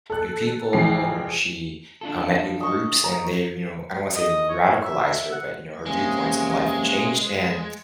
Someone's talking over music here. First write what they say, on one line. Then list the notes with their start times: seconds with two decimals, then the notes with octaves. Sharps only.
new people or she, uh, met new groups, and they, you know, I don't wanna say radicalized her, but, you know, her viewpoints in life and changed, and,
0.10 A4 F#6
0.73 C2 E3 F3 G#3 G5 C7
2.01 D4 F4 A4
2.23 F5
2.60 D#5 C#6
3.04 A#5
4.16 D#5
4.50 C#5
4.84 E5
5.32 F#5
5.86 C3 G#3 A#3 C#4